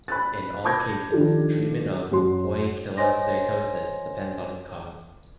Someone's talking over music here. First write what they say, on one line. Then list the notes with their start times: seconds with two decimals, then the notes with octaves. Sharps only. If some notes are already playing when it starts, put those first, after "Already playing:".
In all cases, the treatment of poikilocytosis depends on its cause.
0.08 B5 F#6 A6
0.64 A5 B5 D6 G6 G#6 A#6
1.11 D#3 F3 D4 F4 G4 A4
2.12 F#2 F#4 C6
2.97 C5 C#5 D#5 G#5 C6 A#6